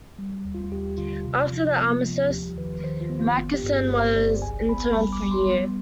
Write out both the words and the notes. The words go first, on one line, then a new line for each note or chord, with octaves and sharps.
After the Armistice, Mackensen was interned for a year.
G3
D#2
F4
D#2 G4
D3 F4
C3
F3
B3
F3
D#2 G4
D#3 B4
D#3 C5
F4
B3
F4
G1 F4
G4
G2
G#4
G1 C5
G1 D5
C2 G#5
B3 B5
G3
D6
G3
C6
B3